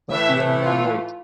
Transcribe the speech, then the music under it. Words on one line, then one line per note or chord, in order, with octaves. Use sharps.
Let the young man wait.
A2 E3 A3 E5
F4